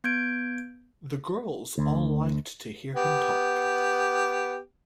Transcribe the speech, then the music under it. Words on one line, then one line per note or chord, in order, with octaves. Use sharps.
The girls all liked to hear him talk.
B3 G6 G#6 D7
D2
B3 G4